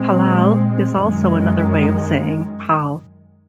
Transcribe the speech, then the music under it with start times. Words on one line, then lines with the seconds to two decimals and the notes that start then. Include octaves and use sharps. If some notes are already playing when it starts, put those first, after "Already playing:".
Palal is also another way of saying Pal.
Already playing: A#2 G#3 C4
0.99 F#2 D#3 G#3